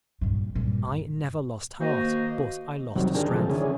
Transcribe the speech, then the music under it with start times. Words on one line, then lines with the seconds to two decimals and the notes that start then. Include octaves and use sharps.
I never lost heart, but I lost strength.
0.21 G2 A#2
0.55 G2 A#2
1.80 D#3 A#3 F#4 C5 D#5
2.96 F#2 C3 D#3 F#3 G3
3.15 D3 D#3 D4 G4 G#4 A#4
3.31 C3 F3 G#3 A4
3.50 D3 E3 C#4 G#4